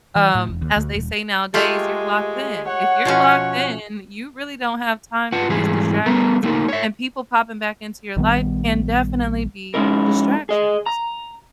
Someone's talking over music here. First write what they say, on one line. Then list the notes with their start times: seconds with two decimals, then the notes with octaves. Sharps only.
um, as they say nowadays, "You're locked in." If you're locked in, you really don't have time for these distractions, and people popping back into your life can definitely be distractions.
0.15 E3
0.35 A2
0.47 E1
0.62 D#2
0.76 D2
0.95 D#1
1.54 G#3 A3 F4 G4
2.67 C#5 F#5
3.05 B2 F3 C#4
5.32 F4 B4 F#5
5.49 G#2 E3 G3 E4 G#4
6.06 G3 A3 B3 A#4
6.43 A3 A#3 D#4 A#4
6.68 C#5 E5
8.16 A#1 D#3 G3 B3
9.74 G#3 C#4 D#4 E4 A#4
10.49 G#4 D#5
10.86 A#5